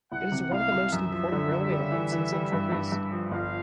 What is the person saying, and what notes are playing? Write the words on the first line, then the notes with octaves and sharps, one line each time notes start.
It is one of the most important railway lines in Central Greece.
C2 F#5
C3
C2 F5
C2
F#2 E5
F3
D3
D3
G3
E3
E3
G3
G2
G2
G2
F3
G1 F5